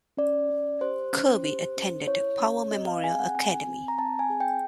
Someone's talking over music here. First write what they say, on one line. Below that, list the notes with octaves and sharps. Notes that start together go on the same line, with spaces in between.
Kirby attended Power Memorial Academy.
C#4 D5
C#4
G4 C5
C#4
G4 C5
C#4
E4 C#5
C#4
C4 D#5
F5
G#4 G#5
F#5
C4 G#5
C4
A#5
C4 A5
G#5
G#4
G5